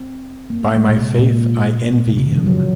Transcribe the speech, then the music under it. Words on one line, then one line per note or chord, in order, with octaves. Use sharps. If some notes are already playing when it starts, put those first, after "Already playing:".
By my faith, I envy him.
Already playing: C4
A#3
A#3
G#3
A#2
C3
A#2
C3
C#3
D#3
F3
F#3